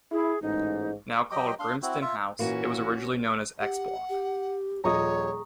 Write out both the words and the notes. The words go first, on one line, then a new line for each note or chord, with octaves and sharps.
Now called Grimston House, it was originally known as X Block.
E4 G#4
A1 G#2 D#4
F#3 G4 D#5 G5
D4 F5 C6
C4 E4 F#4
F4 E5
A#2 E3 A#3 C#4 F#4
G4 F#5
G4
D#1 F3 G#4 C#5 D#5 A#5 C#6 D#6